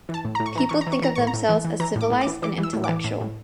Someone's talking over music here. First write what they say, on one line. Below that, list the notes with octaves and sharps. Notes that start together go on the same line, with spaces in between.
People think of themselves as civilized and intellectual.
E3
A5
A2
A2 A#5
C#6
E3 A#5
E3 C#6
A#5
E3
C#6
E3 A#5
A2 C#6
A#5
A2
E3
E3
E3 A#5
A2 D6
A2
D6
E3
E3 D6
E3
E6
A2
D6
E3
A2
A2